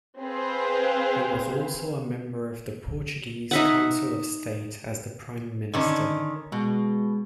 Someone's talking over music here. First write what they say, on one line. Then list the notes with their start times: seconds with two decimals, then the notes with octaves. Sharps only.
He was also a Member of the Portuguese Council of State as the Prime-Minister.
0.20 C4 G#4 B4 C5 F5
3.51 D#4 E5 F#5
5.74 D3 D#3 C#4
6.52 B2 G#3